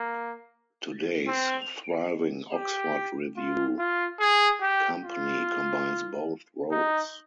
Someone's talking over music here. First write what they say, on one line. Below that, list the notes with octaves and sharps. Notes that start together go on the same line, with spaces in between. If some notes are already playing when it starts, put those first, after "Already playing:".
Today's thriving Oxford Revue company combines both roles.
Already playing: A#3
C4
G4
F4
F4
G#4
G4
F4
D#4